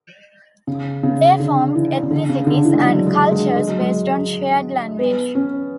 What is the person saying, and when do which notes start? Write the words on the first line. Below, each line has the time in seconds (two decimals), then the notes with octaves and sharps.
They formed ethnicities and cultures based on shared language.
0.67 C#3
1.03 C#3
1.40 D3
1.75 E3
2.03 C#3
2.11 D3
2.29 C#3
2.47 D3
2.65 E3
2.74 G#3
2.83 F#3
3.07 G#3
3.31 G#3
3.56 G#3
3.68 F#3
3.80 G#3
4.99 B3
5.35 C#4